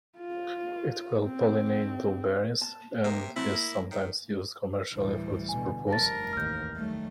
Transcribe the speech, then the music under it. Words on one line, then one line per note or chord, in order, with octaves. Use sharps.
It will pollinate blueberries, and is sometimes used commercially for this purpose.
F4
C4
A5
C3 A#4
F#3 A3 C4 E4
A#3
D#3
D2 A2 E3 G3
B2 D3 G#5
F1 G2 A#4 A5 A6
A1 D#2 F6 G6
D#3 F#3 G3 A3